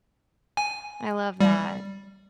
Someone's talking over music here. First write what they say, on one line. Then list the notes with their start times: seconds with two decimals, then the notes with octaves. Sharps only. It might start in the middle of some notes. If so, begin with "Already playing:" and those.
I love that.
0.57 G#5
1.41 G3